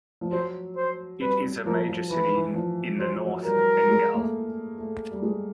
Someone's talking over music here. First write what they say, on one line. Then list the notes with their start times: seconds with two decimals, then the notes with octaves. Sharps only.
It is a major city in the north Bengal.
0.21 F3
0.32 F#3 C5
0.76 C5
1.21 G3 B4
1.44 F#3
1.66 F3 A#4
1.88 F3
2.10 E3 B4
2.34 E3
2.55 F3
2.99 F#3 C5
3.12 F3
3.25 F#3
3.44 G3 A#4
3.89 G#3
4.14 A#3
4.18 A3
4.78 A3
5.12 G3
5.22 G#3